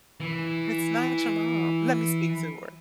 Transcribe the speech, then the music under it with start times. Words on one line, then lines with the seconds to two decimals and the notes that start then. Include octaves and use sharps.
It's not your mom. Let me speak to her.
0.20 E3 E4